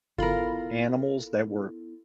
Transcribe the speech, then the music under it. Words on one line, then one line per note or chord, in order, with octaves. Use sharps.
animals that were
G1 B3 E4 F4 A4 A#4 B5